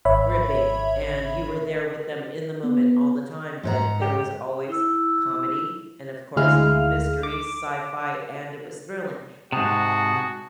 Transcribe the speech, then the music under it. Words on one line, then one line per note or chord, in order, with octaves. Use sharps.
gripping, and you were there with them in the moment all the time, but there was always comedy, and of course, mystery, sci-fi, and it was thrilling,
G#1 C#5 E5 B5
B3
G#2 F#5 A#5
G4
E4 E6
D2 G#3 E4 F5 F6
D6
G#2 C3 F#4 G#4 A5